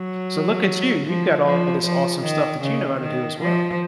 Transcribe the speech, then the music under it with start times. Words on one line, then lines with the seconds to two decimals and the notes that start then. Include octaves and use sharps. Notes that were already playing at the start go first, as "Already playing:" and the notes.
So look at you, you've got all this awesome stuff that you know how to do as well.
Already playing: F#3
1.06 F3
1.46 F3
1.84 F3
2.23 D#3
2.62 C#3
3.01 D#3
3.40 F3